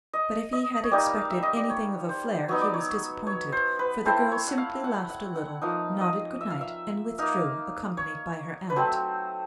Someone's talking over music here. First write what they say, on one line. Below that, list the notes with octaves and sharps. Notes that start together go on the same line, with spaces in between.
But if he had expected anything of a flare he was disappointed, for the girl simply laughed a little, nodded good-night and withdrew accompanied by her aunt.
D#5
D#5
C#5
G3 A#3 D#4 D5
F5
E5
D#5
D5
C#5
C5
F#3 B3 D#4 C#5
D5
C#5
C#5
C5
B4
A3 C4 E4 C5
C#5
F#5
F5
F#5
F#5
F#5
F3 A#3 D#4 F5
D#5
E5
F5
E5
A#3 D#4 F5
C#5
B4
F#3 A3 C4 C5